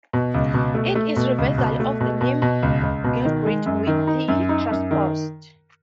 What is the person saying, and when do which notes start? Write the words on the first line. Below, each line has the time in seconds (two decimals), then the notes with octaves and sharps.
It is a reversal of the name "Gilbreth", with 'th' transposed.
0.13 B2
0.34 C#2
0.54 B2
0.75 A3
0.95 A3
1.16 B2
1.38 C#2
1.58 B2
1.80 A3
2.00 B2
2.21 B2
2.42 B2
2.62 C#2
2.83 C#2
3.04 B2
3.25 D#3
3.46 G#3
3.66 F#2
3.87 D#3
4.07 D#4
4.28 F#2
4.49 D#4
4.71 F#2
4.91 D#3